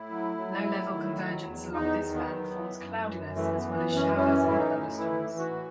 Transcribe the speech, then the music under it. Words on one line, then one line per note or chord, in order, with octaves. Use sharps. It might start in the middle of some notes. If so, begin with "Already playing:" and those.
Low-level convergence along this band forms cloudiness as well as showers and thunderstorms.
Already playing: A2 E4
F#3
F#3
A2
D#3
F#3
E2
E2 D#4
D#3
B3
F#3
E3
F#2
F#2
E3 A3
B3
E3
B3
F#2
C#4
E3 C#4
A2 E4
D#4
A2
E3 E4
E3
F#4
A2